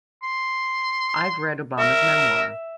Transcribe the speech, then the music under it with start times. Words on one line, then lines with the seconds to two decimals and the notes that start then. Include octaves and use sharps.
I've read Obama's memoir.
0.23 C6
1.79 A#4 E5